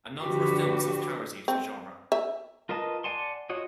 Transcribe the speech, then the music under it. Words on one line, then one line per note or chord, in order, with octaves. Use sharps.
A number of films have parodied the genre.
D3 F3 F#4 G4 B4
C4
E5
F4 A#4 B4 D#5 A5
D5 F#5 G#5 A5 C6
F4 F#4 C#5 D#5